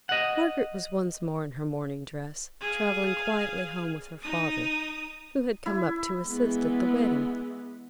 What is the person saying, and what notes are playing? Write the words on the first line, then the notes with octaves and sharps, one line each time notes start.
Margaret was once more in her morning dress, travelling quietly home with her father, who had come up to assist at the wedding.
D#5 F#5
G#4 F5
D#4 D#6
E4
E3 G#3 B3